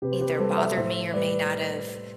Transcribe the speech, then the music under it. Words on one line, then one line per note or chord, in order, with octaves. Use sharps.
either bothered me, or may not have,
C3 G4 B4
C5
G4 B4
G3 A4 C5
C5 E5
A2 C5 E5
G3 B4 D5